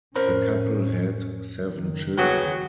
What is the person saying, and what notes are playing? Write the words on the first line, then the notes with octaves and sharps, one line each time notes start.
The couple had seven children.
F2 A2 C#4 A#4 C5 A#5
F#1 D#3
F#3 B3 F#4 G#4 F#5 G5